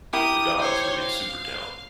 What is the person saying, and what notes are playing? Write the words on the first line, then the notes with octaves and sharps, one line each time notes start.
The gods live in Supertown.
E4 G4 A#4 D#6
C5 C#5
F5